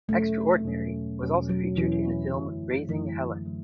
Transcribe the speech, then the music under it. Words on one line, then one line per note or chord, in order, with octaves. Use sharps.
"Extraordinary" was also featured in the film "Raising Helen".
E2 B2 F#3 A3 C#4
E2 B2 F#3 C#4
E2 B2 F#3 C#4
F#3
E2 B2 E3 F#3 C#4
F#2 D3 F#3 A3
F#2 D3 E3 F#3 A3
D3 F#3 A3